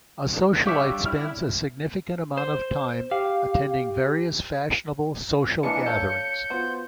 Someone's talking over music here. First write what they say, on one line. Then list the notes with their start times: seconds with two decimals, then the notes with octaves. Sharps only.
A socialite spends a significant amount of time attending various fashionable social gatherings.
0.66 G3 D4 G4 C#5 E5 F5
1.05 E4 F6
2.37 C5
3.11 G4 F5
5.63 E3 A#3 B3 C#4 D4 F4 D#5 C#7
5.86 A4 C#5 F5 G6
6.50 B3 F4 F#4 C5